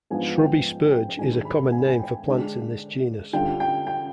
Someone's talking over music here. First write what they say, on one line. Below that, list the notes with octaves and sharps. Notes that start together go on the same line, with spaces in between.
Shrubby-spurge is a common name for plants in this genus.
G#2 F3 B3 D4 F4 G#5
G5
G5
G#2 D#3 G#3 D4 G#5
B5
G#5
G#5
G5
D3 G#3 D4
D3 G3 D4 F4 G5
G5
G5